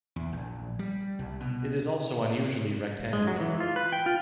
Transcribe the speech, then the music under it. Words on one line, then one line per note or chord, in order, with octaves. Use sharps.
It is also unusually rectangular.
E2
A#1
G3
C2
B2
G#3
F#3
E3
F4
B4
G5
F4